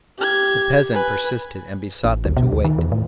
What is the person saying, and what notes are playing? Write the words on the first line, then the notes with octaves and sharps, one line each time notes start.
The peasant persisted and besought them to wait.
G4 G#6
B4 G#5
A1
D2
B2
D2
D#3
E2
A2